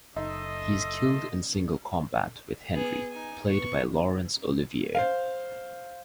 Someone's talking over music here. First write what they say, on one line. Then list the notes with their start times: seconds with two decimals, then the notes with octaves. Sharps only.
He is killed in single combat with Henry, played by Laurence Olivier.
0.16 F#1 D#4 A4 D#5 E5 C6
2.75 B3 G#4
3.11 D#4 G#5
3.48 B3 C#6
4.95 C5 F5